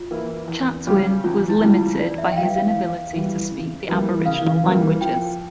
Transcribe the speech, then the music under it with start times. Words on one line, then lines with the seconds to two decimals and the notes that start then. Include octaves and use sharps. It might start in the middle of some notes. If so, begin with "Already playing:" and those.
Chatwin was limited by his inability to speak the Aboriginal languages.
Already playing: F4
0.11 E3 A#3 E4
0.48 E2
0.87 C#3 G3 C#4 G4
1.24 E2 F4
1.49 E4
1.62 C#3 G3 C#4 G4
1.74 F4
1.99 E2 D5
2.18 E5
2.32 G5
2.37 E3 G3 F5
2.56 F5
2.74 E2
3.13 E3 G3
3.51 C#3
3.88 E3 G3 A#3
4.25 C#3 F5
4.63 E3 G3 A#3
5.01 F3 G5